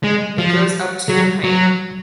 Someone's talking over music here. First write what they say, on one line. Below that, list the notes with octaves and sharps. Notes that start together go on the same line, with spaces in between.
It grows up to in height.
G#3
F3
F#3
F#3